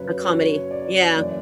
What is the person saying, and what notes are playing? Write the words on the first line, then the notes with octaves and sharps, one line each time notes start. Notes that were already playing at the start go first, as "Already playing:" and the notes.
A comedy. Yeah.
Already playing: F#2 C#3 F#3 B4 C#5
C#5
D5
F#2 E3 D5